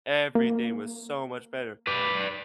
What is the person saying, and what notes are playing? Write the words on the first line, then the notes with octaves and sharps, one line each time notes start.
Everything was so much better,"
A#3
B4 D5